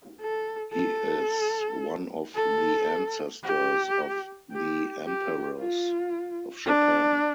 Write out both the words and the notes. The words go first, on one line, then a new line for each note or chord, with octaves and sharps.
He is one of the ancestors of the Emperors of Japan.
A4
A4
A4
G4
G4
G4
F4
D4